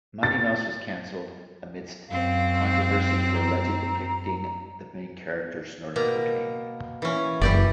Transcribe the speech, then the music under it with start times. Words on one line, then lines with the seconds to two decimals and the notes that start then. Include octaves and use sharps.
"Mighty Mouse" was cancelled amidst controversy for allegedly depicting the main character snorting cocaine.
0.23 A6
2.09 F#2 C4 F5
3.34 A#5
5.96 B2 A#3 A#5
7.02 E3 C#4
7.41 F#1 E3 G4 D5